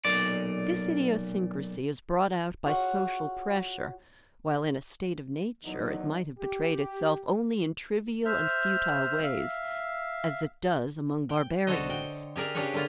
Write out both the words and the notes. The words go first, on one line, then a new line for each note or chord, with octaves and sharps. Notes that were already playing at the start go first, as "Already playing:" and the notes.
This idiosyncrasy is brought out by social pressure, while in a state of nature it might have betrayed itself only in trivial and futile ways, as it does among barbarians.
B1 A#2 D5
F4 F#4 G#4 C#5 F#5
E2 A#2 F#3 D#4
G4
C5 E5 F6
E5 F5
G5
D3 F#4 A4 C5 C#5 D#5
G5
G4 G#4 A#4 D5 E5
C#3 D4 G4 G#4 B4 C#5
D3 A#3 F4